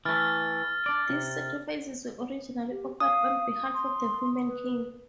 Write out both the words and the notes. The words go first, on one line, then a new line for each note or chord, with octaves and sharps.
These sacrifices were originally offered on behalf of the human king.
E3 A3 F6 A6
D4 D5
C3
G4
F5 D#6
C6
B4